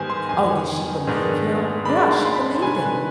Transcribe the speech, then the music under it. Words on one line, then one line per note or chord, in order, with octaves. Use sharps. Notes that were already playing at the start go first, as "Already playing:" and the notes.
Oh, did she believe him? Yeah, she believed him.
Already playing: G#2 D#3 G3 B3 C5 G#5
C6
F2 D#3 B3 G#5
G#2 D#3 B3 D4
D#3 G#3 D4 B5
C6
B5
C6
B5
B5
C3 D#3 G3 D4 G#5
B4